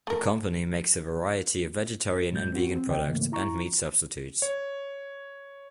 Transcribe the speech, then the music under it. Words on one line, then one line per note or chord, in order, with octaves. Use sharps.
The company makes a variety of vegetarian and vegan products and meat substitutes.
A3 A#4
A2 G3 G6
C4 F4 F#4
C4
C#2 D3 D#5 G5
G#2 C#3 E3 A3 A#3
E4 A#5 C#6
C#5